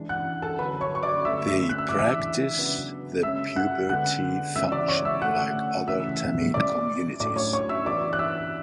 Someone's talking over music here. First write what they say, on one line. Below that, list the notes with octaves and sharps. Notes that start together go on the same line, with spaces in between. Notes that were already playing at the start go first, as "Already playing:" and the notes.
They practice the puberty function like other Tamil communities.
Already playing: E3 G#3 D4
F#5 F#6
A4 A5
D3 F#3 C#4 B4 B5
C#5 C#6
C#6
D5 D6
D3 A3 C#4 E5 E6
E5 E6
F#6
E6
E3 G#3 D4 D6
E5 E6
C#3 F#3 B3 D4
C#3 G#3 C#4 E5 E6
F#5 F#6
D3 G#3 B3 F#5 F#6
C#3 E3 G#3 B3 E5 E6
D5 D6
C#5 C#6
E5 E6
D3 A3 C#4 F#5 F#6
C#3 E3 A3 C#4 E5 E6
B2 G#3 C#4 D5 D6
A2 F#3 A3 D4 D5 D6
C#5 C#6
C#5 C#6
E5 E6
E3 B3 D4 D5 D6
F#6
E5 E6